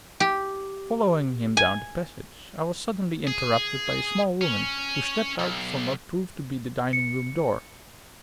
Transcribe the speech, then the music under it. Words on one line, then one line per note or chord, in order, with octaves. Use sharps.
Following him down the passage I was suddenly interrupted by a small woman, who stepped out from what proved to be the dining-room door.
G4
G#5
G#4
C#4
B1
C#7